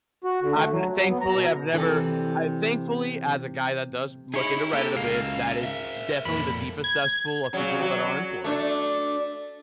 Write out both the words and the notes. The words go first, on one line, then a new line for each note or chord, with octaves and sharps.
I've n Thankfully, I've never I Thankfully, as a guy that does look into Reddit a bit, that is definitely the deepest cesspool of people that are unemployed.
F#4
D3
A3
F#3
F#3
B3
A#5
B2
C3 E3 A4 D5
D#4 E4 G#4 C#5 B5
D3 A#3 G4 A4
C#2 G#4 A#4 F5
E5
F2 A#2 B5
G#6
C#3 F#3
F#3
A3 D4